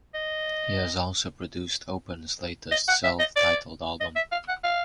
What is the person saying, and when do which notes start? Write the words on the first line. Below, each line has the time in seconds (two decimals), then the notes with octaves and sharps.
He has also produced Open's latest self-titled album.
0.15 D#5
2.72 D#5
2.88 F#5
3.04 E5
3.19 D#5
3.36 D5
4.00 D#5
4.16 E5
4.32 F5
4.48 F#5
4.64 F5